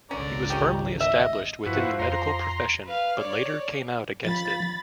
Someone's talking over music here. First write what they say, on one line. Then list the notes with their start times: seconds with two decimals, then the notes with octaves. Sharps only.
He was firmly established within the medical profession but later came out against it.
0.11 G#1 C#2 D3 C#4 D5 A#5
0.50 C#4 G4
1.00 D#5 E5
1.66 G2 F3 E4 F#4 B4
1.99 F2 A#5 C6
2.86 B4 F5
3.19 C#5 D5
4.25 F3 B5 A6